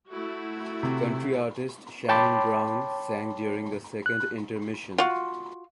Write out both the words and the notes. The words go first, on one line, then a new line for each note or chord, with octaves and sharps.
Country artist Shannon Brown sang during the second intermission.
A3 E4 F#4
C3
C#5 G5 A5 B5 C6 D6
F#6
F4 F#4